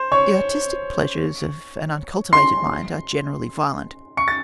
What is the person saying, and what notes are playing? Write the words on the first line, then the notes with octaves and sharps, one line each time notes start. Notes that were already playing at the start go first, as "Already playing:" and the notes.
The artistic pleasures of an uncultivated mind are generally violent.
Already playing: C5 C6
C#5 C#6
C6 C7
C#6 C#7
A6